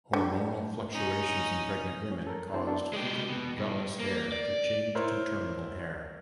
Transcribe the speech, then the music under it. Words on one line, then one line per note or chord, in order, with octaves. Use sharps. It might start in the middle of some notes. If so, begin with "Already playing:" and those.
Hormonal fluctuations in pregnant women cause foetal vellus hair to change to terminal hair.
D3
C#4 D#4
C#4
A4 A#4
C4 D4 E4 A4 C5
B3 D4 F#4 A4
G#3 G4
B2
G2
A#3
D5
E4 A#4 C5 C#5